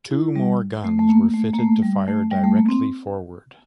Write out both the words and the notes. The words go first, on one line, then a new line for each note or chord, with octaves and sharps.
Two more guns were fitted to fire directly forward.
E4
G3
A3
A3
A#3
A3
A#3
A3
G3
A3
G3
A3
A#3
C4